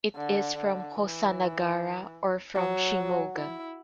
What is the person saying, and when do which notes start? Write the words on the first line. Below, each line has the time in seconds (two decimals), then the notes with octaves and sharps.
It is from Hosanagara or from Shimoga.
0.15 D3
0.55 D3
0.95 E3
2.55 F#3
3.35 E4